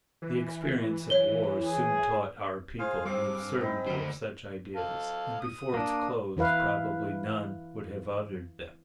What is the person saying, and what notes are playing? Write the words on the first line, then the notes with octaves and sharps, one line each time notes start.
The experience of war soon taught our people the absurdity of such ideas, and before its close probably none would have uttered them.
E3
C#5 G7
G#4
F4 G#4 C5 F5
G2 C4 G#4 F5 D6
C4 D#4 E4
D2 G3 G#4 A#4 C5
A4 F5
D#6
A#3 D4
E3 E4 B4 F5